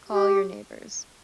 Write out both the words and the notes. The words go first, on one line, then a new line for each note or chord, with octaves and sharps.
Call your neighbors!
G4